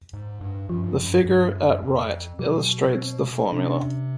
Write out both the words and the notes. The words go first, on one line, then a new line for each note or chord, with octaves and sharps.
The figure at right illustrates the formula.
G#2
G2
F#2 F3
G2
F#2
G2
G2
F#2
F2
B2 F#3
C4
C3 D4
C#4
D4